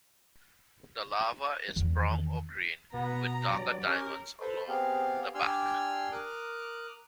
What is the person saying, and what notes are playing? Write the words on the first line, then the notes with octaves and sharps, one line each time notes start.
The larva is brown or green with darker diamonds along the back.
E2 D#3
B2 B3 A#5
G2 F#3 D5
C#4 G4 A#4
A4 B4 C5
B3 C4 G4 G#4 F5
D4 G4 G#5 C6 E6 F6
A#4 D6 D#6 F6 F#6